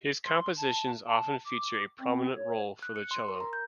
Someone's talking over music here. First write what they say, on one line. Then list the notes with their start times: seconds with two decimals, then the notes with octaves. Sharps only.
His compositions often feature a prominent role for the cello.
0.25 C6
0.57 A5
1.06 A5
1.45 D6
2.01 C4
2.36 C#5
2.83 F#6
2.96 C#7
3.11 C6
3.28 A#4
3.41 A#5
3.53 G6